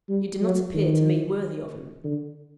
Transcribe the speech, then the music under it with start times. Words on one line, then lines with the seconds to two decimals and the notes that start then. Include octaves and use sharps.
You did not appear to me worthy of him.
0.09 G3
0.41 F#3
0.74 D#3
2.04 D3